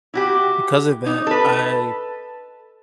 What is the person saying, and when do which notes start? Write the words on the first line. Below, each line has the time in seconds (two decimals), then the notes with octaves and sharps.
because of that, I
0.14 E4 F#4 G4
1.06 D#4
1.27 A4 B4